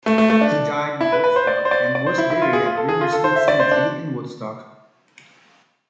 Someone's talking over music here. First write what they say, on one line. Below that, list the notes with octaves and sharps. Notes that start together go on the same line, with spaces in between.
He died in Woodstock and was buried at River Street Cemetery in Woodstock.
A3
A3
A3
D4
E4
B4
B4
C5
D5
C5
D5
D5
C5
E4
E4
F4
G#4
F4
A4
G#4
F4
A4
C5
E5
D5
C5
D4